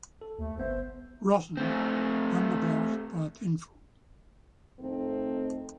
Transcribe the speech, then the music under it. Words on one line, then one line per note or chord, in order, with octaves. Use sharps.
Rotten won the bout by pinfall.
A4
D#2 A3
G1 C2 B3 C5 E5
A3 C4
F2 D#3 A3 C4 D#4 A4